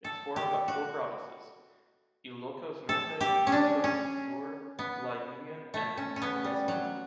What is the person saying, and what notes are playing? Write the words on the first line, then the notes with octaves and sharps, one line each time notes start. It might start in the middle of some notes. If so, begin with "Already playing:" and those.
It’s formed by four provinces: Ilocos Norte, Ilocos Sur, La Union and Pangasinan.
A4
G4
F#4
A4
G4
C#4
D4
C#4
B3
A3
C#4
C#4
B3
G3
F#3